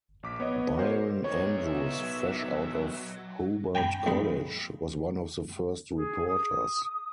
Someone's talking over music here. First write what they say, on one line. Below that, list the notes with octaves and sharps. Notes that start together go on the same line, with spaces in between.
Byron Andrews, fresh out of Hobart College, was one of the first reporters.
A#1 D6 B6
B3 C#5 D#5
F#4 A#4 C5 C#5
B3 D#4 C#5
E5
F#3
G5 G#5 A#5 B5
A#1 G#3 B5
G#4
D#6